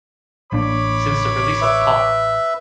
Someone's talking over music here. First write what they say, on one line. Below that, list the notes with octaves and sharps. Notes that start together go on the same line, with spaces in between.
Since the release of Pop!
A1 A#3 D4 C#5 B5 D6
B4 E5